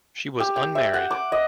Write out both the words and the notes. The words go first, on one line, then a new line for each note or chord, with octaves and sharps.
She was unmarried.
G4
G5
E5
F#5
D6
D#5